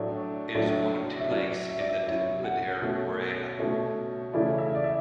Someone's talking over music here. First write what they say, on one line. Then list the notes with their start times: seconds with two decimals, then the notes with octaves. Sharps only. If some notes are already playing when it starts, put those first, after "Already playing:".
It is one of two lakes in the Tehuledere woreda.
Already playing: A2 F#3 A3 D4 D5
0.55 A2 F#3 A3 D4
1.20 E5
1.30 F#3 C#4 E4 D5
1.68 E5
1.79 D5
1.89 E5
2.06 F#3 C#4 E4 E5
2.44 F#5
2.82 B2 A3 C#4
3.57 B2 A3 C#4
4.33 C#3 E3 A3 E4 D5
4.58 E5
4.75 D5
4.84 E5